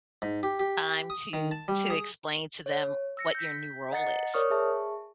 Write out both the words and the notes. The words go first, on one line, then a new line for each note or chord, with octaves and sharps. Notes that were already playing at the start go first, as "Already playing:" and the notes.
time to to explain to them what your new role is.
G#2
G4
G4
D#6
D#3
A5
G3
G#4
C#5
E6 A#6 C#7
G6 B6
D#5 F#5 A#5 A6 C#7
A#4 C#5 D5 C#6 D#6 F6
G#4 E5 A5 C#6